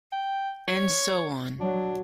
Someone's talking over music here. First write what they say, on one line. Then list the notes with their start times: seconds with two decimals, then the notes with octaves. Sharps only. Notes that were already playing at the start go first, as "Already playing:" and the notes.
And so on.
0.12 G5
0.68 C#5
1.61 F#3 D4